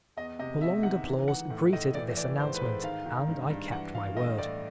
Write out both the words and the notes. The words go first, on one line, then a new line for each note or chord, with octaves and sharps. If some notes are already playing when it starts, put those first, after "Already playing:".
Prolonged applause greeted this announcement, and I kept my word.
E2 D#5
C3 D#5
E2 E5
D#3 F#5
E3
E3 F#5
A2
A2 D#5
E3 D5
E3 D5
G#2 C5
B4
G#2 C5
D#3 F5
D#3
G2
G2
E3 F#5
E3 F5
A2 D#5
A2 D5